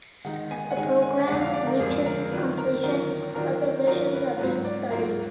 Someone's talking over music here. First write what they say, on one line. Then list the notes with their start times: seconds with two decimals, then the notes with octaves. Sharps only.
As the programme reaches completion, other versions are being studied.
0.24 D#3 G#3 D#4 F#5
0.51 G#5
0.71 F#5
0.77 D#3 G#3 D#4 G#5
1.02 G#5
1.28 F2 D3 G#3 F#5
1.41 F5
1.54 D5
1.67 A#4
1.80 F2 D3 G#3 G#4
2.06 A#4
2.31 D#3 F#3 D4 F4 B4
2.58 A#4
2.83 D#3 F#3 D4 F4 A#4
3.35 D#3 F#3 D4 F4 A#4
3.86 D#3 F#3 D4 F4 A#4
4.13 B4
4.38 G#2 F#3 A#3 F4 B4
4.65 D5
4.91 G#2 F#3 A#3 F4 A#4